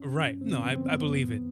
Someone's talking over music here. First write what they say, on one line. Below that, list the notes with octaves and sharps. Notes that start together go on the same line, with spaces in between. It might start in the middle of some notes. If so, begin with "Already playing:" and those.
Right, no, I b I believe it,
Already playing: G2 C#4
G2
D3 C4
B3
F3
C4
F#2 B3
D#3